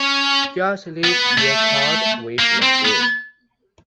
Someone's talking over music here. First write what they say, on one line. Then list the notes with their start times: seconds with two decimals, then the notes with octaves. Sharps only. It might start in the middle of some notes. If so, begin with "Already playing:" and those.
Just leave your card with the boy.
Already playing: C#4
1.04 B3
1.38 A3
2.40 A#3
2.63 C4
2.85 B3